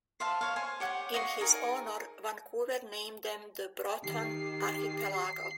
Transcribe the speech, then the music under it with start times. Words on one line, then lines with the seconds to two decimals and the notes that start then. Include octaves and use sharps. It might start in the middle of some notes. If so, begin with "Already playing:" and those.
In his honour, Vancouver named them the Broughton Archipelago.
0.20 C5 E5 F5 A5
0.41 C#5 F5
0.56 C5 G#5
0.80 G4 C#5 F#5
1.14 D#5 F5 F#5 C#6
1.40 D#4 G#4 A#4 D#5
4.04 D#3 G4 C7